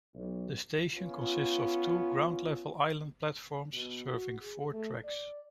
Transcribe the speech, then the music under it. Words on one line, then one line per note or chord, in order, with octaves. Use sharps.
The station consists of two ground-level island platforms serving four tracks.
B1
B3 C#4 F4
B2
F#4
G#4
A3
D5